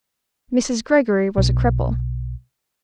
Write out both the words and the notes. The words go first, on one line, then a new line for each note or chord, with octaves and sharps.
Mrs. Greggory was a cripple.
B1